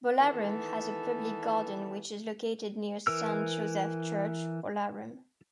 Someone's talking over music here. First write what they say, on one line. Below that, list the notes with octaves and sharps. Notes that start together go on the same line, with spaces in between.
Bolarum has a Public Garden which is located near Saint Joseph Church, Bolarum.
D#3 E3 B3 A4
E3 A#4 E6